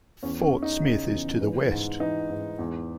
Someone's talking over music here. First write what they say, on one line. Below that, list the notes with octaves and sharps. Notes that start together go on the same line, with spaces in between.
Fort Smith is to the west.
E2 C#4
C#4
E3
D#4
C#3
E2
E3
G#2
E3 D#4
G#2
E2